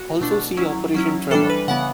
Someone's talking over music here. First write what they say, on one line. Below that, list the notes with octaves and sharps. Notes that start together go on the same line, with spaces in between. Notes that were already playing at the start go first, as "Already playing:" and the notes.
Also see Operation Tremor.
Already playing: F#4
B2 A3 D4
F#3 C#4 E4
F#3 C#4 E4
E3 G3 D4 A4
B4
C#3 E3 B3 F#5